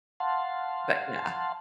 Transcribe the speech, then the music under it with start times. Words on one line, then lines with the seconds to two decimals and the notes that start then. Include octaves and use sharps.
But yeah,
0.20 F5 F#5 A5 C6